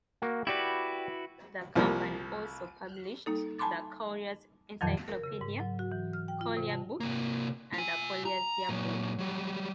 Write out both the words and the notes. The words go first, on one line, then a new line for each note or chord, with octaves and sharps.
The company also published the "Collier's Encyclopedia", Collier Books and the "Collier's Year Book".
A#3 F#4
E4 F#4 G4 B4 D5
C2 F3 G3 A#3
G3 A#3 D#4 A4
G#5 A5 B5 C6 D6 A6
F2 A#2 D#3 F3 F#3
A#4
C#3
G#2
F#3
F#4
E3
F6
G5
F4
C3
A5
C3 A#3
F4 G#5
A#5
A#2 F#3
F#3 G3